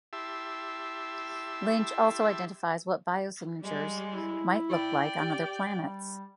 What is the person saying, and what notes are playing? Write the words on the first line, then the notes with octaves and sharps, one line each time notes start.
Lynch also identifies what biosignatures might look like on other planets.
E4 G4 E5 A5 C6 E6
G3 G#3
E4
D5 G5
G4
G3